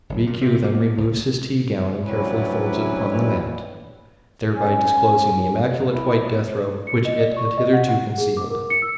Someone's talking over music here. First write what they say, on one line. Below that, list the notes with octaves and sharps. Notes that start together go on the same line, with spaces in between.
Rikiu then removes his tea-gown and carefully folds it upon the mat, thereby disclosing the immaculate white death robe which it had hitherto concealed.
F#1
A#2
C3
A#3
C#2
D2 F#3 G3 C#4 E4 B4
C#4
E2
E4
C#7
D#5
D5
C#6
D#5
F#5
F#5
G#4
D6
A#4
C#7
E6